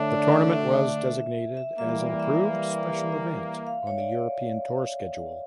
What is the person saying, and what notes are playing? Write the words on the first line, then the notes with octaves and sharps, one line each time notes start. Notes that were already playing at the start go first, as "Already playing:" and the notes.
The tournament was designated as an "Approved Special Event" on the European Tour schedule.
Already playing: D3 A3 D4 C#5 E5
D5
E5
E5
E5
E5
E3 G3 A#3 E5
D5
E5
F5
C#5
D5